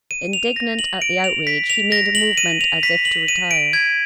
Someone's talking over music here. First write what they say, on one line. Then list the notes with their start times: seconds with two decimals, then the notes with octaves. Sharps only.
Indignant at the outrage, he made a movement as if to retire.
0.11 D#7
0.33 F7
0.56 A#6
0.79 F#7
1.02 D7
1.24 F7
1.47 B6
1.70 F7
1.92 A#6
2.15 F#7
2.38 D#7
2.61 F7
2.83 B6
3.05 F#7
3.28 D#7
3.51 D7
3.73 G#6